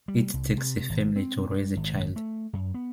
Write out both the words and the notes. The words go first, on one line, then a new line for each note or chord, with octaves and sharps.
It takes a family to raise a child.
G3
C2
C3
G#1
C4
G3
G#1
A3
F#2
B3